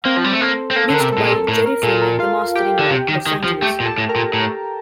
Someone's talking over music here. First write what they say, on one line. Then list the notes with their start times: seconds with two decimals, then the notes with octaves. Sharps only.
Mixed by Jerry Finn at The Mastering Lab, Los Angeles.
0.05 A#3 C4 C5
0.17 F3
0.24 G3
0.33 A3
0.41 A#3 A4
0.71 C4
0.76 A#3 A4
0.90 D3 A#4
1.00 C3
1.13 A2 A4
1.24 A#2
1.30 A4
1.48 A2 A#4
1.66 A#4
1.83 A#2 A4
2.02 A#4
2.19 F4 F5
2.56 G4 G5
2.79 D3
2.90 C3
3.08 D#3
3.26 D#3
3.44 F3
3.62 A3 G4 G5
3.80 A#2
3.85 A4 A5
3.98 A2
4.09 A#4 A#5
4.16 A#2
4.33 A2